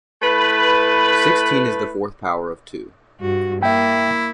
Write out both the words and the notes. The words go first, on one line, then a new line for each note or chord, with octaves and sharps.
Sixteen is the fourth power of two.
A3 E4 B4
G2 F#4
A#3 E4 E5 G5